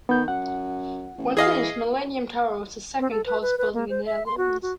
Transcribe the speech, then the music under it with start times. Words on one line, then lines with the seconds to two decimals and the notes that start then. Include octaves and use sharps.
When finished, Millennium Tower was the second tallest building in the Netherlands.
0.09 D#3 B3 G6
0.28 F#2 F#5
1.17 A1
1.37 E3 G#4 D#5 F5
3.00 C4
3.11 A4
3.26 B4
3.42 B4
3.58 B4
3.74 A#3
3.90 C5
4.05 E5
4.26 C6
4.38 F#4
4.62 F#4